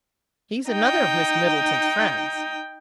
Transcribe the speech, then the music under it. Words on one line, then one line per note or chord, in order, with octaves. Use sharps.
"He's another of Miss Middleton's friends."
D#4 G5